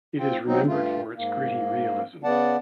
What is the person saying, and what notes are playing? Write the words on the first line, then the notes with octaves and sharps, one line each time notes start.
It is remembered for its gritty realism.
C4 F4 G5
F#3 C4 D#4
G2 A3 F4
G#2 A#3
C#3 B3 D5 F#5 A5